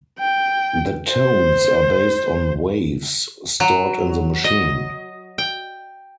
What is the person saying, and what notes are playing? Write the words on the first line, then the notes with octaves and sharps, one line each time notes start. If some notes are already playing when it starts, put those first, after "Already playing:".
The tones are based on waves stored in the machine.
G5
C5
F#3
D#5
G5